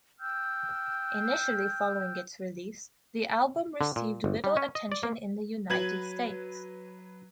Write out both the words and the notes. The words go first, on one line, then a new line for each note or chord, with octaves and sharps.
Initially following its release, the album received little attention in the United States.
G5 E6 F6 G6
D3
A#2
G1
G3
C#4
D#5
D5
A#3
F#3 B4 G#6 F#7